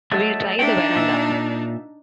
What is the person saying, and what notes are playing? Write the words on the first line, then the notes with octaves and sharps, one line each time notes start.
We'll try the verandah.
F#3 G#3 A3
D4 D#4 E5 G5
A#2 E5